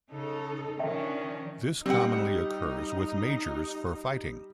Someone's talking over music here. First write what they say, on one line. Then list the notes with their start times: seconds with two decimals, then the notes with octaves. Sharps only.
This commonly occurs with majors for fighting.
0.11 C#3 D#4 A4
0.79 D#3 F3 C#4 D4 E5 G5
1.86 G3 C4 D#4 F#5